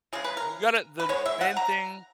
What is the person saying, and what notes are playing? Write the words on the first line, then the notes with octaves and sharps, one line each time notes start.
You gotta the main thing
C#3 E3 G#3 G#4
B4
A#4
B4
E3 G#3 B3 C#5
E5
F#5
A#5